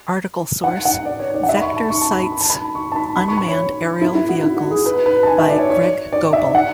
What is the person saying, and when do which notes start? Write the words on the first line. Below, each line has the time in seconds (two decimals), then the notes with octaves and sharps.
Article source: Vectorsite's "Unmanned Aerial Vehicles" by Greg Goebel.
0.64 F#5
0.85 F#5
1.05 D5
1.20 C#5
1.34 D5
1.43 F#5
1.49 E5
1.57 B5
1.62 C#6
1.76 A5
1.90 C#6
2.01 A5
2.11 B5
2.32 B5
2.41 A5
2.50 B5
2.75 C#6
2.92 A5
2.96 B5
3.17 B5
3.28 C#6
3.37 B5
3.48 C#5
4.01 E4
4.15 E4
4.29 F#4
4.44 E4
4.57 F#4
4.71 G#4
4.86 B4
5.06 B4
5.23 A5
5.27 G#5
5.38 E5
5.49 D5
5.59 C#5
5.70 C#5
6.12 D5
6.33 E5
6.55 F#5